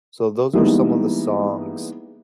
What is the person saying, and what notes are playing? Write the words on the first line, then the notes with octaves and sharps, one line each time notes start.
So, those are some of the songs
E3 G3 G#3 A#3 B3 D#4